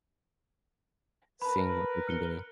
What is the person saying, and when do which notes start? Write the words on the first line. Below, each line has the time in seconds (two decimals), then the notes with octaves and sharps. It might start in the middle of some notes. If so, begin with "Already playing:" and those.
seeing what we can do.
1.42 A#4 B4 A5 B5
2.07 F6 C#7 G7